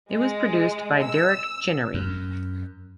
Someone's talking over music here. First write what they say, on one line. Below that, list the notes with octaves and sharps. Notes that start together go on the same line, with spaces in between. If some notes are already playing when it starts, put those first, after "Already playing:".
It was produced by Derek Chinnery.
G#3
E6
F#2